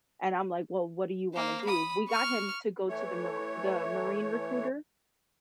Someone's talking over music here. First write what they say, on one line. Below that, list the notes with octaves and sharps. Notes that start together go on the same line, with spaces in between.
And I'm like, "Well, what do you wanna do?" We got him to go to the Mar the Marine recruiter,
A#3 C5
B5 D#6
C#6 F6
E3 A3 C#5